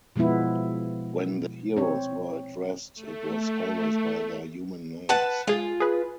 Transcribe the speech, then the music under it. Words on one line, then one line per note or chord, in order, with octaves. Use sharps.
When the heroes were addressed it was always by their human names.
B2 F3 G#3 B3 E4
C4 C#5
A3
B4 F#5 A5
G#3 F4 G#4
G#4 B4